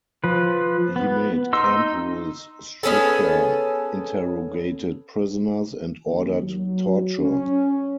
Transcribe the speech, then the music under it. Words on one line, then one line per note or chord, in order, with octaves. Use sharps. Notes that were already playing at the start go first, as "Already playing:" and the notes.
He made camp rules stricter, interrogated prisoners and ordered torture.
F3 B4
B3
D#4 C6 E6
B3 C#4 G#4 A4
D#2
F#3
C#4